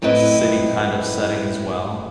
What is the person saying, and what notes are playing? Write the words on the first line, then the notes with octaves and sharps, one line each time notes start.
city kind of setting as well,
F#2 A2 C4 E4 B4 D#5